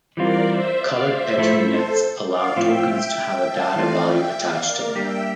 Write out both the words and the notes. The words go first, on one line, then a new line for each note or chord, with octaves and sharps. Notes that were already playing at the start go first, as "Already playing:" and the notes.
Coloured Petri Nets allow tokens to have a data value attached to them.
E3 G3 C4 F4 A#4 D5
C5 E5
D5 F5
C5 E5
A2 F3 A3 E4 C5 E5
A4 C5
D5 F5
A2 F3 C4 F4 E5 G5
F5 A5
E3 A3 C4 F4 A4 D5 F5
E5 G5
D5 F5
A#4 D5
G3 A#3 D4 G4 E5 G5